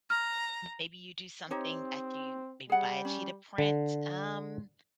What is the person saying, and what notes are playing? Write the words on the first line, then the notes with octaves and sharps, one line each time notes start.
Maybe you do something that you maybe, buy a cheetah print, um,
A#5 F6
C4 D#4 G4 C#5
G3 G#4 F#5
C#4
D3